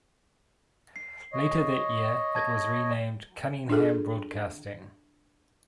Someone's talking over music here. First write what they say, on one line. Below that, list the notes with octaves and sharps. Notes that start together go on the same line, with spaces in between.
Later that year, it was renamed Cunningham Broadcasting.
C7
C#5 D#5
A5 G#6 A#6
D4 F4 G#4 A4